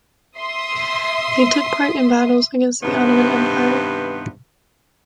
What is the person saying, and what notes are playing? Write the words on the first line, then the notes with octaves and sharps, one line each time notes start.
They took part in battles against the Ottoman Empire.
E5 C6 D#6
G2 C3 D#3 B3 B4 C5